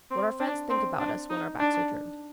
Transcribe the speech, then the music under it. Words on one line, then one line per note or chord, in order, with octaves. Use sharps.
What our friends think about us when our backs are turned.
C4
D4
C4
D4
D#4
D4